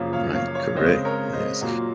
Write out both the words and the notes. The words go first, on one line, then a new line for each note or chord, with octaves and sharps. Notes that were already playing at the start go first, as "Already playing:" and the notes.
Right, correct, yes,
Already playing: F#2 C#3 F3 A#3
C#5 F5
C#5 F5
C#5 F5
C#3 G#3 C4 C5 D#5
A#4 C#5
C5 D#5
A#2 F#3 A#3